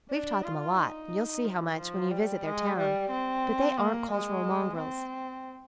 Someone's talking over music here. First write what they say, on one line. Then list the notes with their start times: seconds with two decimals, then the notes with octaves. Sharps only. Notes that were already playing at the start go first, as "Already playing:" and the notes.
We've taught them a lot--you'll see how much when you visit their town--but they aren't cultural mongrels.
0.11 D4
0.44 F4
0.77 D#4
1.44 F3
1.78 F3
2.11 G3
2.45 G#3
2.77 G3
3.11 C4
3.78 A#3
4.11 G#3
4.78 C4